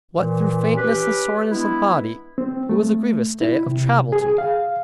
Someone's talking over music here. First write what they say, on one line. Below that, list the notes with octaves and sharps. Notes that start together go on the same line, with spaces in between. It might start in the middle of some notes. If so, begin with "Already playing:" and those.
What, through faintness and soreness of body, it was a grievous day of travel to me.
A#2 E3
C#4 G4 B4
E3 G#3 B3 D4 E4
C4
A3
E4
C3
G#4
F5